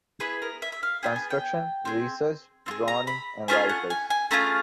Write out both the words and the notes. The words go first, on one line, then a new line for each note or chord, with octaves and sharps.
Construction, Research, Droning and Rifles.
B3 E4 G#4 B4
A#4
E5
E5
F5
B3 E4 G#4 G5
G#5
G5
C4 F4 G#4
C4 F4 G#4
A#5
B5
A3 C#4 F4 G#4 G#5
F#5
G#5
G#5
A3 C#4 F4 G#4 A#5